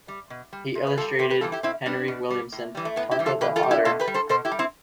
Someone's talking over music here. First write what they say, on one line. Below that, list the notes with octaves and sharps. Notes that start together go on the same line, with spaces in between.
He illustrated Henry Williamson's "Tarka the Otter".
G3
B2
G3
C3
B4
E3 F4 A4
G3
C3 G4 B4
G4 B4
E3 G3 F4 A4
E4 G4
B2 C4 E4
G3 B3 D4
B2
G3
A2
E3 G3
A3
A2 B3
E4 G4
E3 G3
F4 A4
B2 G4 B4
F4 A4
G3
E4 G4
B2 F4 A4
G4 B4
G3
A4 C5
B2 A4 C5
E4 G4
G3
C4 E4